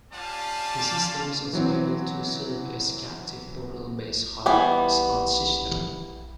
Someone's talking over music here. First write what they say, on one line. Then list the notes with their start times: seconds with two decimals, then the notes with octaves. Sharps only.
The system is also able to serve as a captive-portal-based hotspot system.
0.13 C#4 F4 G4 D5 F5 A5
1.53 E3 F#3 C4
4.46 E3 G3 B3 G#5